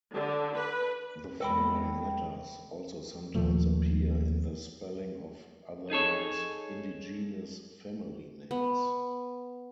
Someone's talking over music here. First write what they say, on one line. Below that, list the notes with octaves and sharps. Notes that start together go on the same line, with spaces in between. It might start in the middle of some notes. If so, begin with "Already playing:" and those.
The "foreign" letters also sometimes appear in the spelling of otherwise-indigenous family names.
D3
B4
E2 G#3 A4 G5 B5
D#2 A#2 F3 A3
D#4 G#4 A4 C#5
B3